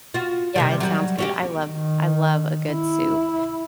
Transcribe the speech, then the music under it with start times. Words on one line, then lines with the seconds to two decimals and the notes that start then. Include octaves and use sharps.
Yeah. It sounds good. I love I love a good soup.
0.14 F4 F#4
0.56 C3 D#3 G3
0.80 F#3 G3
1.18 C#4 F#4 G4
1.64 D#3
2.71 E4